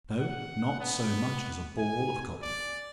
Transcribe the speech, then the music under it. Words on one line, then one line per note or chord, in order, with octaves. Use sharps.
No--not so much as a ball of cotton.
F#5
B3
G#5
D5